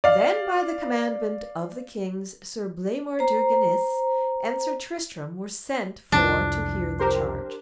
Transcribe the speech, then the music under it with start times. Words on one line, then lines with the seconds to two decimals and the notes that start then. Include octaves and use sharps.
Then by the commandment of the kings Sir Blamore de Ganis and Sir Tristram were sent for to hear the charge.
0.04 D5 F5
3.19 C5 A#5
6.12 C2 F2 F3 D4
6.99 G4 A#4 C5